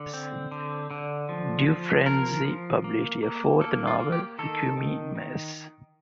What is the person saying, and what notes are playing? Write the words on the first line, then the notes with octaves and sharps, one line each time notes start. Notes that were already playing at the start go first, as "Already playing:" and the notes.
Dufresne published a fourth novel, Requiem, Mass.
Already playing: D3
C4
D3
D3
F3
F3
F3 A#4
F3
A#3
A#3
A#3 A4
F4
A#3
G4
D#3 A4
D#3
D#3